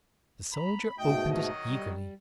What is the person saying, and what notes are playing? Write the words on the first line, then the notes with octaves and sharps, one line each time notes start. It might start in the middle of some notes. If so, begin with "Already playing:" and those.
The soldier opened it eagerly.
A#5 B5
G#2 B2 A3 D#5 G5
D#3 F#3 D#5
G3